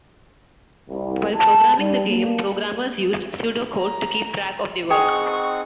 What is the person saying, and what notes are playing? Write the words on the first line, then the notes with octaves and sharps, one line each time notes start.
While programming the game, programmers used pseudo-code to keep track of their work.
C2
A5
G3
A#3
A#5
C4 D#4 G#4 F#5 G5 C#6